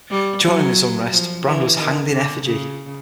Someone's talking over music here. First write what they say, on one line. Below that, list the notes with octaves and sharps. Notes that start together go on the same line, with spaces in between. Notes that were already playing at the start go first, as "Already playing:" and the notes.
During this unrest, Brand was hanged in effigy.
G3
F#3
F3
E3
D#3
D3
C#3